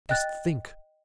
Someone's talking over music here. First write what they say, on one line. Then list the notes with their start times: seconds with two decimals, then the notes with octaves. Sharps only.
Just think!
0.09 D#5 G5 F#6 A6